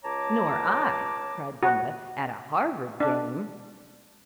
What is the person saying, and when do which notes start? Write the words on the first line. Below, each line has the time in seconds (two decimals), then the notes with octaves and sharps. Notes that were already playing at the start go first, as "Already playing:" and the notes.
"Nor I!" cried Brenda, "at a Harvard game!"
0.04 C#2 C#5 A5 A#5 D6
1.63 F#4
3.00 D4